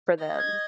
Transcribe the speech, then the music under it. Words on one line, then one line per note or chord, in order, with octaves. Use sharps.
for them.
D#5
G#6